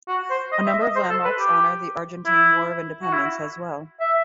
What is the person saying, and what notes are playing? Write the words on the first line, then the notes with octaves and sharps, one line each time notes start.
A number of landmarks honor the Argentine War of Independence, as well.
F#4
C5
D#5
E5
D#5
C5
A4
B4
G4
E4
F#4
E4
E5